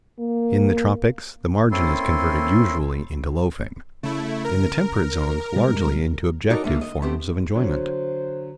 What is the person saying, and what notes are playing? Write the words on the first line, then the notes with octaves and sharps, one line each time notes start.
In the tropics the margin is converted usually into loafing, in the temperate zones largely into objective forms of enjoyment.
A#3
A#3 C4 C#4 E4 A4 C6
C#3 A3 E4
A#4
B2 G3 G#3
D#4 F#4 A4 A#4 C#5 D5
D3 A3 A#3
D#5
A3 B3 C4 G4
D3 F#3 C5